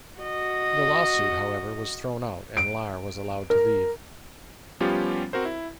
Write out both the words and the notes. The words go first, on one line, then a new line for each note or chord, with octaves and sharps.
The lawsuit, however, was thrown out and Lahr was allowed to leave.
F#4 D#5
D7
A#4
F3 G3 B3 C#4 F4 G4
C4 F#4 A#4 C5
E4